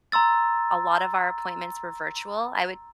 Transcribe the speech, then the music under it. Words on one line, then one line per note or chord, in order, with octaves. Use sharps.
a lot of our appointments were virtual, I would
A#5 C6 E6 A6